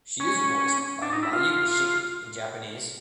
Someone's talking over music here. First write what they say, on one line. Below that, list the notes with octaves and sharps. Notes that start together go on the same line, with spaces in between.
She is voiced by Mayu Isshiki in Japanese.
C#4
D4
D#4
E4
F4